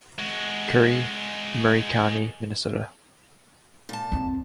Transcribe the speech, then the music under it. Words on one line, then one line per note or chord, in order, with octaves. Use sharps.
Currie, Murray County, Minnesota'.
G#3 F#4
A#2 A5
F2 C4